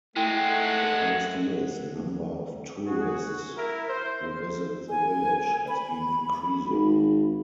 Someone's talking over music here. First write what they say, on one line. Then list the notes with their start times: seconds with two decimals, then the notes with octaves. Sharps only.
The past years the number of tourists who visit the village has been increasing.
0.16 G#3 A3 C4 E4 F#5 G5
2.86 F#4 G#4
3.57 E4 A#4
3.88 C5
4.90 G#5
5.68 B5
6.70 G#1